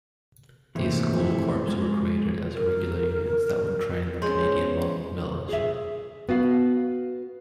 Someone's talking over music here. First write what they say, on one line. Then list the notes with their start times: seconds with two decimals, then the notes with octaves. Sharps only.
These school corps were created as regular units that would train the Canadian militia.
0.75 G#2 C3 E3 A3 A#3
1.19 A3 E4
1.68 G#3 F4
2.54 A#4
4.22 G#3 B3 C#4 C5 C#5
5.49 G#4 E5
6.29 B3 F#4 F5